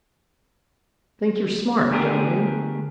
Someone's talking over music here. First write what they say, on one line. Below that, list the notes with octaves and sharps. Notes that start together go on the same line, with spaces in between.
Think you're smart, don't you?
D3 A3 B3 G4 G#4 A#4